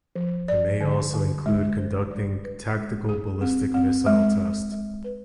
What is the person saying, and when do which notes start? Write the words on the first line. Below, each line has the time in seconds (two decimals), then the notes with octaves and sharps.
It may also include conducting tactical ballistic missile tests.
0.16 F3
0.48 D5
0.81 D3
1.14 D3
1.46 G#3
1.78 C5
2.11 G3
2.44 B4
2.76 G#3
3.09 G#4
3.41 C4
3.74 C4
4.06 G#3
4.39 G#3
4.72 G#3
5.04 B4